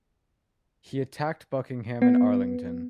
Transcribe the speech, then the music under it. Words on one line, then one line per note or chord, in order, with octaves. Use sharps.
He attacked Buckingham and Arlington.
B3